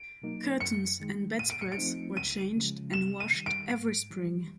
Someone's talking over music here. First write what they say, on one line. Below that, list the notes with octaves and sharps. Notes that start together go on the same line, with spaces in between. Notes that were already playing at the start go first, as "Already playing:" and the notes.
Curtains and bedspreads were changed and washed every spring.
Already playing: D7
B2 F#3 A#3 D#4
F#2 C#7
D#3 G#3
A#2 D#7
D7
C#7
D7
F3 A3 C4 D#4
C#2 D#7
C#3 F3 G#3
C3 E7
D#7
D#3 G3
D7
G#2
E3 G3